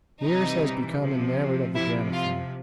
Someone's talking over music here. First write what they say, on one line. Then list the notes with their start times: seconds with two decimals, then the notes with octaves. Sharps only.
Meares has become enamoured of the gramophone.
0.23 C3 E3 G3 D#4
0.99 C3 F3
1.75 C3 F3 E4
2.13 F4